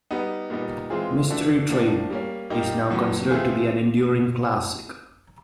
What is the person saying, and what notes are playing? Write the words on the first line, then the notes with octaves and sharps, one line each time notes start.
"Mystery Train" is now considered to be an "enduring classic".
G3 B3 D#4
A#2 G3 B3 D#4
E3 G#3 C4 F4 G#4
E3 A3 D4 F#4
A2 F3 A#3 D4
G3 A#3 C#4
A#2 G3 A#3 D#4 G4
A2 F#3 B3
E3 A3 C4 F4 G#4